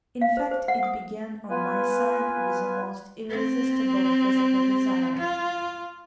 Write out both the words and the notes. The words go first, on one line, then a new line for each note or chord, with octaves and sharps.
In fact, it began on my side with a most irresistible physical desire.
F5
C5
C5
F#5
D#6
B3 F4 B4 G#5
C4
F4